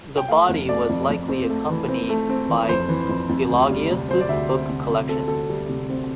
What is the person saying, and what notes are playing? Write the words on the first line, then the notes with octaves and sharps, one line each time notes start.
The body was likely accompanied by Eulogius's book collection.
G5
A3 F5
F2
A3 D5
F2
F2
C4
A3
E3
C4
A3
C4
E3
F2 C5
E3
F2
F2
D2
G3
C3
C4 C5
D5
D2 E5
C4
C3
C3
C4 A4
D2 A4
G3
C3
C4